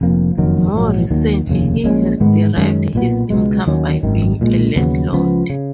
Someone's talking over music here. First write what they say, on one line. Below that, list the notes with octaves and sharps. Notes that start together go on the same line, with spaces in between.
More recently, he has derived his income by being a landlord.
F1 F2 F3 A#3
F#1 F2 D#3 F#3
A#1 G#2 F#3
D#2 D#3 F#3
F1 D#2 C#3
A#1 A#2 G#3 C#4
G#2 D#3 G#3 B3
F#2 D#3 G#3 C#4
B1 A#2 F#3 B3
C#2 B2 G#3
D#2 D#3 F#3 C#4
G#1 F#2 D#3
B1 A#2 F3 G#3
D#2 C#3 F#3 B3
C#2 C#3 F3 B3
C#3